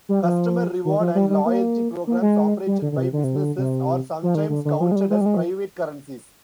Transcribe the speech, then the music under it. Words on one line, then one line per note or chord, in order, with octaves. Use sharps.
Customer reward and loyalty programs operated by businesses are sometimes counted as private currencies.
G3
F3
D#3
F3
G3
G3
A#3
A#3
G#3
G3
D3
D3
C3
D3
C3
D3
C3
F3
D#3
D3
D3
F3
G#3
G3
G#3
G3
G#3
F3